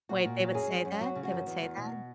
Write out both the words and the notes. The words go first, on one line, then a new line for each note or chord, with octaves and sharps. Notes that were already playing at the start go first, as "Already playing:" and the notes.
Wait, they would say that? They would say that?
A#2 F#4
A#2
F#3
F#2 G#4
F#2
F#2
F#3 F#4
C#3
F#4
F#2
E2
E2
B2